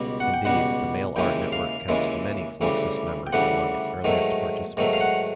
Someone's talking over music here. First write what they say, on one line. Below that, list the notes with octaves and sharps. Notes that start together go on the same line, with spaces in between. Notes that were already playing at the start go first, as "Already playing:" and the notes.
Indeed, the mail art network counts many Fluxus members among its earliest participants.
Already playing: C#2 B2 G3
F#5
G5
C#2 B2 G3 F#5
D#2 C#3 E3 G#3 G5
F5
D#2 C#3 E3 G#3
D2 C#3 E3 G3
G5
D2 C#3 E3 G3 F#5
G#2 D#3 F#3 A3
G#2 D#3 F#3 A3
F5
F#5